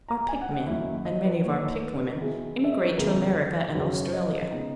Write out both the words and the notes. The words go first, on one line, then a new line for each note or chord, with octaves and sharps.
Our picked men, and many of our picked women, emigrate to America and Australia.
A#5
G#5
F#5
F#5
F#2 D#3 A#3 E4
D#5
B4
D#3 A#3 D#4 C#5
C#5
B4
B4
A#4
D#3 F#3 B3 E4 G#4
E5
D#5
C#5
B4
F#2 C#3 E3 G#3 B3 A#4
F#2 C#3 F#3 B4
C#5
D#5
C#3 G#3 B3 D#4